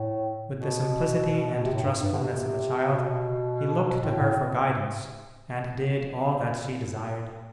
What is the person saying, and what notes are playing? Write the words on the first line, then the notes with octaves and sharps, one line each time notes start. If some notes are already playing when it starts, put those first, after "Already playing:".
With the simplicity and trustfulness of a child, he looked to her for guidance, and did all that she desired.
Already playing: A2
B2
B2
C3
A2
G2
A2
G2
D3
C3
B2
A2
A2